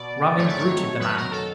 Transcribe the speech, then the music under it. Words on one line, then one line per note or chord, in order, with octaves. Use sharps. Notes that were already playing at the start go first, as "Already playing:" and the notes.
Rum imbruted the man.
Already playing: B2 D5
G#2 D#3 F#3 A3 C4 C#5
D5
C#5
F#2 D#3 F#3 B4
A#4
A4